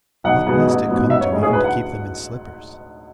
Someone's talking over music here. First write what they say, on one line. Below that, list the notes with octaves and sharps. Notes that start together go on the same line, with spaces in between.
What must it come to even to keep them in slippers.
B1 F#5
B2 G#3 B3
A1
G#2 F#3 B3
A1 E5
C#5
A2 G#3
G#4
D2 B4
F#5